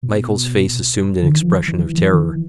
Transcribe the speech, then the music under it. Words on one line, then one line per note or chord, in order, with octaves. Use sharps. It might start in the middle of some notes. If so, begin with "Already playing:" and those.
Michael's face assumed an expression of terror.
B2
D3
D#3
F3
E3
E3
E3
D#3
E3